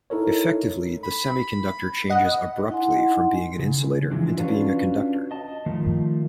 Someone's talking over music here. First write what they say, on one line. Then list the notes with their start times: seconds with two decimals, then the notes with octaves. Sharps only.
Effectively, the semiconductor changes abruptly from being an insulator into being a conductor.
0.10 D#4 E4 A4 A#4 C#5
1.04 B5
2.10 D#5 F#5
2.70 D#4 E4 D#5 F#5 G#5 C6
3.59 C#3
4.11 E3 F3 G#3 D4
4.38 C#4 D4 F4 F#4 B4
5.31 D#5 A5
5.66 D#3 F3 A3